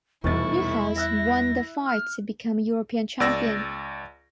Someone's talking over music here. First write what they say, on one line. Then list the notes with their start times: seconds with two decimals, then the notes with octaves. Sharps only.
Neuhaus won the fight to become European champion.
0.24 F1 B1 E2 G3 E4 C#6 A6
0.96 E5 E6 F#6 A#6
1.86 F6
3.20 C#2 D5 E6 A#6